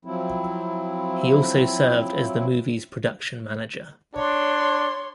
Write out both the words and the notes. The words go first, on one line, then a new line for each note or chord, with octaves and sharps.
He also served as the movie's production manager.
F3 F#3 C4 E4
D4 C#5 C6